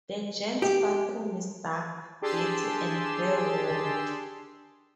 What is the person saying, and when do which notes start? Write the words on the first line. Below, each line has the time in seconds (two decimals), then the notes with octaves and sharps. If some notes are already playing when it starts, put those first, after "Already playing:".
The gents' bathroom is dark, dirty and bare-walled.
0.62 G4
2.22 D4 G4 G#4 A5 C6 E6